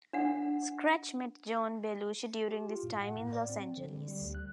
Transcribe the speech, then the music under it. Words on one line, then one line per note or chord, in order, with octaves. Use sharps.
Scratch met John Belushi during this time in Los Angeles.
D4 F#5
G4
F4
A2
F#5
A2
D5
C4
D3
D3
G3
D2
F#6